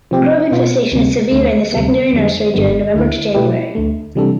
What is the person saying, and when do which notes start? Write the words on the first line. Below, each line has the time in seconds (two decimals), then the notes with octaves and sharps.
Grub infestation is severe in the secondary nursery during November to January.
0.11 C3 F3 C4 G4
0.52 B2 B3 F4
0.92 D2 C3 G3
1.31 D2 D3 A3
1.72 D2 C3 G3 B3
2.13 F2 D3 G3
2.54 G1 G2 D3 G3 B3
2.94 D2 D3 A3 E4
3.34 B2 A3 E4 G4 B4
3.75 D2 D3 A3
4.15 C3 E3 G3 D4 A4